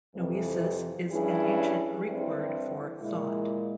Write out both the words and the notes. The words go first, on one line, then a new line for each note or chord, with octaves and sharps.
"Noesis" is an Ancient Greek word for "thought".
F2 C3 E3
G2 G3 C#4 E4 G#4
G2 G3 C4 E4
A#2 G#3 E4